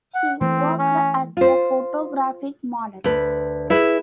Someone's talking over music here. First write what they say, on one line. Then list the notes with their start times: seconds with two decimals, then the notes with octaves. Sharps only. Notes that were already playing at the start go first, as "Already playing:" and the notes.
She worked as a photographic model.
0.15 F#5
0.41 E3 A3 C4
0.79 C#4
1.37 F4 C5
3.04 D2 B4
3.70 E4 G#4 B4 E5